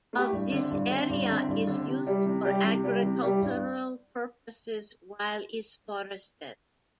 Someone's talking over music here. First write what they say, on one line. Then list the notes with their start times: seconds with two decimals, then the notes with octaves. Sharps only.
Of this area, is used for agricultural purposes, while is forested.
0.13 A3 E4 G4
0.32 G2
0.52 D3 C4 E4
0.71 G2
0.91 D3 C4 E4
1.10 G2
1.29 D3 C4 E4
1.48 G2
1.67 D3 C4 E4
1.87 C3
2.07 G3 E4 G4
2.26 C3
2.45 G3 E4 G4
2.64 C3
2.84 G3 E4 G4
3.03 C3
3.22 G3 E4 G4
3.42 G2